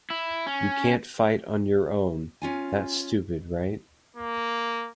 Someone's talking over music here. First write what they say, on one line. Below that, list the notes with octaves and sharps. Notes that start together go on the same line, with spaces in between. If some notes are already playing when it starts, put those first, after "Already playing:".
You can't fight on your own, that's stupid, right?
E4
C#4
C#4 F4 G#5
A#3